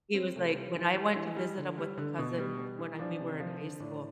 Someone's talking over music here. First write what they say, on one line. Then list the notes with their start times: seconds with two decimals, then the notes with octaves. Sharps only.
He was, like, when I went to visit him with a cousin when I we were in high school,
0.14 G3 C4
0.36 C3 A3
0.55 G3
0.76 E3
0.96 G3
1.16 E3
1.36 G3
1.58 D3
1.78 G3
1.98 D3
2.18 B2
2.38 G3
2.58 G3
2.79 E3
2.99 F3 D4
3.20 C3
3.40 F3
3.60 D3
3.80 A2 D4